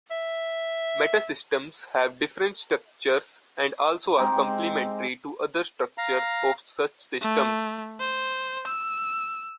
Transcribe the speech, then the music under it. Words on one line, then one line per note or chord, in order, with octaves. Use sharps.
Meta-systems have different structures and also are complementary to other structures of such systems.
E5
G#3 C4 D#4 G4
F5 A#5
A3
C5
E6